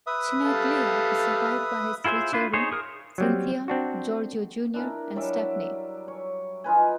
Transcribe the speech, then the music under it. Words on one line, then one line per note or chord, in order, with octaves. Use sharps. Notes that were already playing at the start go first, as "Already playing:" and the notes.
Chinaglia is survived by his three children, Cynthia, Giorgio Junior and Stephanie.
B4 E5 D#6
G3 A4 F5
E4 F4 G#4 C5 E5
D4 E4 F4 B4
D#4 G#4 C5 C#5
G#4 A#4 C#6 D#6
F#3 G3 C4
C4 D4 F#4
D4 E4 A#4
F#3 G3 D5 E5
C#5
D#4 F4 B4 G#5